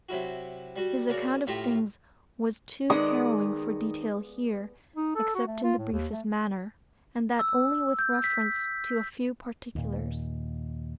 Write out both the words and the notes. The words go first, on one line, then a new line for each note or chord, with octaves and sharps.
His account of things was too harrowing for detail here, except in the briefest manner, and that only with reference to a few particulars.
C3 F#3 E4 F#4
G3 F#4
C#3 F#4 A#4 D5 C#6
A2 F4 G4 E5 A#5 C#6
D#3 G#3 B3 D5 D#6
D#4
A4
F#4
A3
F4
A2
D#2
A3
E6
G6
B6
D#2 A#2